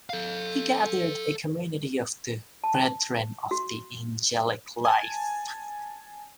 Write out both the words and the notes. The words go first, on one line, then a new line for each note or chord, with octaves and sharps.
He gathered a community of the "Brethren of the Angelic Life".
A4 F5
A5
F#4
G#5 A5